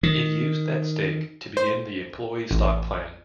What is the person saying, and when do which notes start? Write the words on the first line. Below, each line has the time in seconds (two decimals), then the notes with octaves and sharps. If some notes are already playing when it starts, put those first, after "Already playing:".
It used that stake to begin the employee stock plan.
0.03 D#3
1.57 C5
2.51 A1